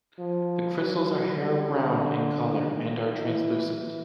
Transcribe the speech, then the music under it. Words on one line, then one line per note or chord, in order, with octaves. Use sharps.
The crystals are hair-brown in color and are translucent.
F3
F#3
G3
D3
D#3
E3